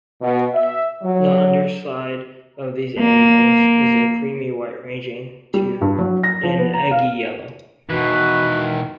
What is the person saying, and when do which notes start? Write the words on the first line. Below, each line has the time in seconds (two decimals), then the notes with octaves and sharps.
The underside of these animals is a creamy white ranging to an eggy yellow.
0.21 B2
0.54 E5
1.02 F#3
2.99 A#3
5.54 G3
5.81 G2
5.98 F#3
6.23 A#6
6.43 F3
6.58 B3
6.74 A#5
6.91 F5
7.90 B2 D#3 E3 F#4 B4